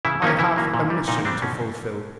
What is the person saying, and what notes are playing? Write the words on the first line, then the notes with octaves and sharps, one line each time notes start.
I have a mission to fulfill.
C#3 E3 E4
D#3 F#3 A#3 C#4 D#4
C#3 E3 E4
F#3 A#3 C#4
A#2
G3 C4
A#2 D#3 D#4
G3 C4 D4
B2 C#4